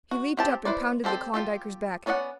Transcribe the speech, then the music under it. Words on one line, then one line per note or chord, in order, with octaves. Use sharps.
He leaped up and pounded the Klondiker's back.
F#4
C4 G4 A5
E4 B4 C5 D5
C4 G4 A4 C5 G5
F4 G4 A4
B3 C#4 D5 D#5 F#5